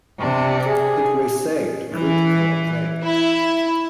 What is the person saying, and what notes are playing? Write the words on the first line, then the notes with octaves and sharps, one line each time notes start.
It received critical acclaim.
C3 D4
G#4
E3
E4